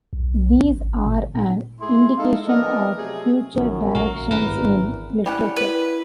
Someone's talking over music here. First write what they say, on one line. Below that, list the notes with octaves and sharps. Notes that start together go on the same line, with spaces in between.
These are an indication of future directions in literature.
B1
G#1
A#2
G#2 A3 E4 G#4 C6
G#3 D#4 E4 A4 F5
F3 A3 B3 A#4 D5 D#5
C3 F#3 A3 G#4
A#1 F#2 D#3
A#1 C#3 F3 F#4 A#4
G#1 E2 G2 A#4 B4
G3 C#4 E4 F#5
E4 B4